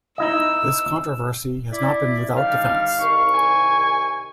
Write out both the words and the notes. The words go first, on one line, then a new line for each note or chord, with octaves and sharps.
This controversy has not been without defense.
D#4 E4 D#5 E6
E4 D5
D3 D#3 G3 F5
C2 D#3 C#6
G#5